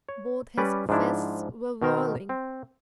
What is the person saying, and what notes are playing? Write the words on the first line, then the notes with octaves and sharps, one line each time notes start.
Both his fists were whirling.
C#5
G3 C#4 B4 D5
G#2 F3 D4 E4
B2 D#3 A#4 C5
C4